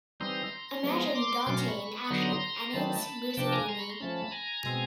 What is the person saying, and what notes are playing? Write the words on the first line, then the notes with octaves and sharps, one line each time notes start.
Imagine Dante in action, and it's Mussolini.
E3 G3 C4 D#4 A#5 C6
F3 G#3 B3
C6 D6
B2 F#3 A3 C#4 C6 D6
A#5 C6
B5 C#6
D3 F#3 B3 D#4 A#5 C6
D#3 F#3 A3 C4 D#4 A5 B5
C3 F3 A#3 D4 G5 A5
G#5 A#5
A#5 C6
B5 C#6
A#5 C6
F3 A3 C#4 A5 B5
G#5 A#5
B2 G#3 C4